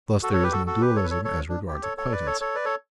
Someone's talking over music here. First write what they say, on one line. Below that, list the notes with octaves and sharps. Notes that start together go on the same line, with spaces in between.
Thus there is no dualism as regards acquaintance.
F#4 A4
A4 C#5
G4 B4
F#4 A4
F#4 A4
G4 B4
A4 C#5
B4
A4 C#5
A4 C#5
D4
G4
A4 C#5
A4 C#5
B4 D5
A4 C#5
A4 C#5
B4 D5
A4 C#5